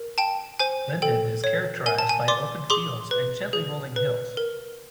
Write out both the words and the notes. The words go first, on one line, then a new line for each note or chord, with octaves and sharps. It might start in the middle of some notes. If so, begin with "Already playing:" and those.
Linden is characterized by open fields and gently rolling hills.
Already playing: A#4
G5 A5
C5 G#5
A4 G5
C#5
A#4 G#5
A5
G#5
D5 C6 D6
G#4 C6 D6
B4
G#4
B4
A#4